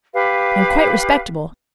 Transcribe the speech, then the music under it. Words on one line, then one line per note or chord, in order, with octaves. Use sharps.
"I am quite respectable."
G4 B4 F5